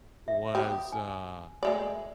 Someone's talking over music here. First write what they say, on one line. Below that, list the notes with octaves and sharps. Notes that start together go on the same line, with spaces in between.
was, uh,
E5
G4 D#6
G#5
G#3 A3 D5